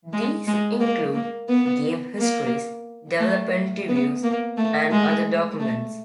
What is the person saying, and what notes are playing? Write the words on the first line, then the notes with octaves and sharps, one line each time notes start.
These include game histories, developer interviews, and other documents.
G#3
G#3
A#3
A#3
B3
A#3
A3
B3
A#3
A3
G#3
A3